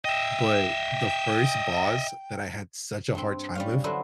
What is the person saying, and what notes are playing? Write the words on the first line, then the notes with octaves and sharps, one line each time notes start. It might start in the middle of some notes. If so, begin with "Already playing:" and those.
But, the first boss that I had such a hard time with
D#5 E5 G5
G2 C4
G3 C#4 F5
D3 F#3 D4 E4 B4 C5